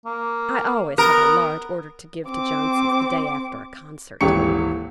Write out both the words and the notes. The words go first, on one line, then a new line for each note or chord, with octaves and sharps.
I always have a large order to give to Johnson's, the day after a concert.'
A#3
B3 A#4
C4 D6
D#1 G#1 E3 G4 C#6 C#7